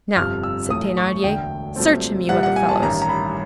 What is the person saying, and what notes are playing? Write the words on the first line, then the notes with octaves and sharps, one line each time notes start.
"Now," said Thenardier, "search him, you other fellows!"
G1 F2 C3 F3 F6
E6
B1 A2 E3 A3 D#6
C#6
E1 D2 D3 G5
C2 A#2 F#3 A3 C4
C2 A#2 G3 F#5
F#5
G#5
A5
A1 G2 D#3 A#5
A#5
B5